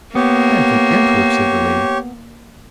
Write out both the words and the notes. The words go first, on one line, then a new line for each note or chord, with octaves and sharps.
"I am from Antwerp," said the lady.
A#3 B3 G4 C#5